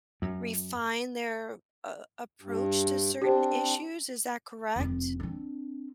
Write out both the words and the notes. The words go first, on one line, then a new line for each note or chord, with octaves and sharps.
refine their a approach to certain issues, is that correct?
F#2
G2
C4 D4 G4 C5
F1 C4
C4 D4